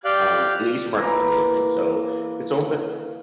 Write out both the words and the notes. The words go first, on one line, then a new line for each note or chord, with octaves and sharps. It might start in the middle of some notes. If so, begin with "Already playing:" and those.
Um, and the Eastern Market is amazing, so it's open
G4 D5 F5 G5 F#6
E3 A#3 A#4